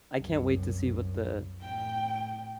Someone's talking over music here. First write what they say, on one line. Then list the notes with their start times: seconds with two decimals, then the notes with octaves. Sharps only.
I can't wait to see what the
0.17 C2 F#2
1.62 A2 G5